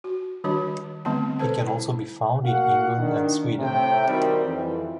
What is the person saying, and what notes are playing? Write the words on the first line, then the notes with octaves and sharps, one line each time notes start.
It can also be found in England and Sweden.
F#4
D#3 G3 D4 F#4 C#5
D3 G3 A3 B3 C4 A5
A4 B4 C5 A5
E4
A#3 F#4 F5 F#5
D#3 D4
A2 C3 A3 C4 E5 G5
D#3 G3 C4 D#4 F#4 A#4
F2 E3